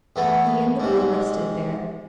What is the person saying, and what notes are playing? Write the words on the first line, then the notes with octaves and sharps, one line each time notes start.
He and the bull rested there.
E2 A3 B3
G#2 C3